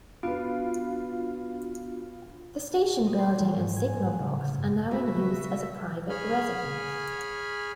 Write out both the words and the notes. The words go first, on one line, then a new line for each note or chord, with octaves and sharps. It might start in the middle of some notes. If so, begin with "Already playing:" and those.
The station building and signal box are now in use as a private residence.
B3 D4 F4 F#4 B4
A5
A#6
D#5
C6
E2
G#2
G#5
A2
F#6
C#3
F6
G2
C#3 F#4 B4 E5
G#4 C#5 G#5 B5 F6